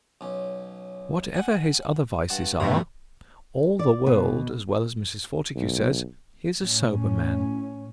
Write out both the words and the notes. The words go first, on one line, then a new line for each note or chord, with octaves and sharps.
Whatever his other vices are, all the world, as well as Mrs. Fortescue, says, 'he is a sober man.
B1 C#4
F#5 G#5
G2 F#5 A5
G2 B2 A3 A#5 B5
D5
B2
B1
A2 C#4